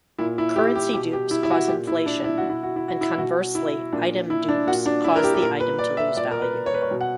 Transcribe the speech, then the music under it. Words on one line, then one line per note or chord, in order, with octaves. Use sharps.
Currency dupes cause inflation and conversely item dupes cause the item to lose value.
A#2 E4
E4
G4
G4
B2 G4
G4
E4
E4
F#4
A#2 G4
E4
D4
E4
F#4
B2
E4
F#4
E4
F#4
E4
B2 F#4
E4
A#2 D4
E4
D4
A#2 F#4
D4
E4
A#4
G4
G4
A#2 A#4
B4
D5
E5
A#2 D5
A#4
B4
C#5
B4
C#5
B2
F#5